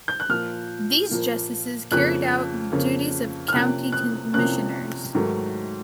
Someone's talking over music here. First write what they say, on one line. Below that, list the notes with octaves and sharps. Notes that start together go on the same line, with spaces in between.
These justices carried out the duties of county commissioners.
G6
F#6
A#2 F3 A#3 F6
A#2 F3 A#3
F2 C#3 F3 A#3 C#4 F#6
F2 C#3 F3 A#3 C#4
F6
C3 F3 A#3 C#4 F#6
F#6
C3 F3 A#3 C#4 F#6
G#2 D#3 F#3 A3